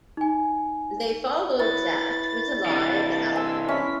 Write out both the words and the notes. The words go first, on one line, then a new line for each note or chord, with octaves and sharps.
They followed that with a live album.
D#4 G#5
E4 B4 C#5 A6
C3 E3
G#5 C6 E6
C#4 E4 B6